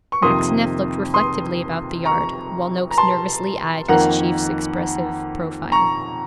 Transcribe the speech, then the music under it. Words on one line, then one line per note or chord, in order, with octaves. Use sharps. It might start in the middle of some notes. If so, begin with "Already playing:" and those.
Maxineff looked reflectively about the yard, while Noakes nervously eyed his chief's expressive profile.
C#6
F2 C3 D#3 A#3 C6 D#6
C6 D#6
A#5 C#6
A#5
A5 C6
F2 D#3 A#3 F#5 A#5
A#5 C#6